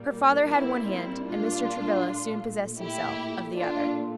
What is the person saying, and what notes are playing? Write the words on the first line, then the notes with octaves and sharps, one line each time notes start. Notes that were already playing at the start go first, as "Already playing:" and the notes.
Her father had one hand, and Mr. Travilla soon possessed himself of the other.
Already playing: A#2 G3 A#3
C4 E4
C4 E4
D4 F4
A#2 A3
E4 G4
D4 F4